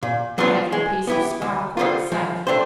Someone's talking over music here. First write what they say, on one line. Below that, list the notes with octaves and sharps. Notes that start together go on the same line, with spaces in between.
I have your piece of spar quite safe.
A#2
F#3 B3 D4 F4
G#3
B3 E4 G4
D2
D3 G3 C4 F4
F3
A3 D4 G4 C5